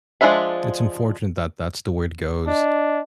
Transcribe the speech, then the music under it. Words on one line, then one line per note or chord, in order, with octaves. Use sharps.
It's unfortunate that that's the way it goes.
F3 G#3 D4 E5 B5
D4 D#5